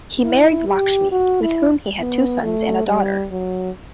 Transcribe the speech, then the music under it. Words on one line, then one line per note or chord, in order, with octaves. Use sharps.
He married Lakshmi, with whom he had two sons and a daughter.
E4
G4
F#4
E4
B3
A3
G3
F#3